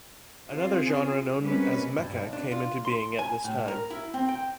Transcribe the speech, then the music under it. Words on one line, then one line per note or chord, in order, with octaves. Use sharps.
Another genre known as mecha came into being at this time.
C4 F4 G#4
G3 G#3 A#3 C4 C#4 B4
G2
B1
D4
F4
C6
G#5
A2
A#4
E4
C4
G5